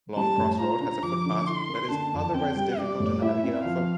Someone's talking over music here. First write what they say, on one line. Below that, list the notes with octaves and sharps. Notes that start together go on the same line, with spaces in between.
Longcross Road has a footpath but is otherwise difficult to navigate on foot.
G3 A5
A2
F4 A#5
D4
F3 D6
D3
E4 C6
A#3
D3 A5
F2
C4 G5
G3
G3 D5
A2
E4 E5
C4
F3 F5